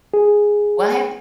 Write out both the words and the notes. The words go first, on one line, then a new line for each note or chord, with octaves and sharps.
Well, have y
G#4